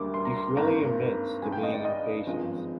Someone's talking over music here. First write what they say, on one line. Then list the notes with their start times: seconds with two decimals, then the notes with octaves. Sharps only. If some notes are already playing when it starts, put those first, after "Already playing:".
He freely admits to being impatient.
Already playing: D2 D3 G3 A#3 D6
0.14 C6
0.25 A#5
0.37 C6
0.56 G#1 G2 D#3 A#3 A#5
1.42 G2 D#3 G#3 G#5
1.52 G5
1.58 F5
1.63 D#5
1.74 D5
1.85 D#5
2.27 G#1 G2 F3 G#3